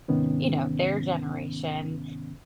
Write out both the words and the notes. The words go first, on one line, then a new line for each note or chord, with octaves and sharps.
you know, their generation,
G#2 C3 D#3 B3 C#4